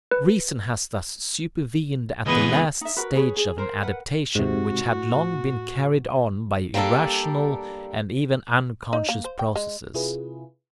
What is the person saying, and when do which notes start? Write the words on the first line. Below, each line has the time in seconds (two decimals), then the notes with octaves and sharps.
Reason has thus supervened at the last stage of an adaptation which had long been carried on by irrational and even unconscious processes.
0.11 B4
2.26 C#2 E3 B3 G#4 B4 D#5
2.81 D#4 E5
2.97 F#4 A#4 B4
3.15 G#4 B4 C#5
3.37 G#4
3.58 A#4 C5
3.83 A#4 B4 F#5
4.35 G#2 C3 F#4
4.86 A2
6.74 G3 A#3 C4 D4 A4
8.93 D#4
9.09 A#3
9.24 C5
9.39 G5
9.56 G#3
9.94 C3 E4 F4 G#4 B4